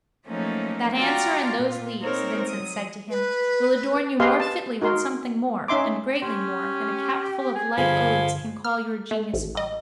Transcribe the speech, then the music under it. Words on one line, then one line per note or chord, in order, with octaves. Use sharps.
That answer and those leaves, Vincent said to him, will adorn you more fitly when something more, and greatly more, than a capful of light odes can call your genius father.
F3 F#3 A3 A#3 C#4 D#4
F4 F#4 D5 F5 G5 A#5
A#2 F4
A#3 C4 D#4 A#4 C5 C#5
F#3 D#6
B4
G4 G#4 B4 D#5 F5 C6
A5
D#4 F#4 A#4 C6
C#4 D#4 E5 C6 D6
C#4 G4 C6
G#4 G#5
G2 D3 F3 G#4 G#5 B5
F6
A3
A1
D#5